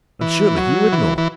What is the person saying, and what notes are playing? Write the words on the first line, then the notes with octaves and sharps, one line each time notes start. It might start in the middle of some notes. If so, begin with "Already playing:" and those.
"And surely he would know!"
E3
F#3
E3
E3